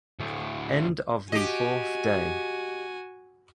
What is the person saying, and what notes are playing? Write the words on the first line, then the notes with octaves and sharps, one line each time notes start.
End of the fourth day.
D2 A2
F#4 G4 D#5 G#5